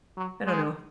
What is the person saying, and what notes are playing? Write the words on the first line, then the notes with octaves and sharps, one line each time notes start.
I don't know.
F#3
G#3